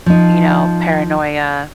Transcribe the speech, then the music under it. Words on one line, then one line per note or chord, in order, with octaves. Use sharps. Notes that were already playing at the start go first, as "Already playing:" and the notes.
you know, paranoia,
F3 D#4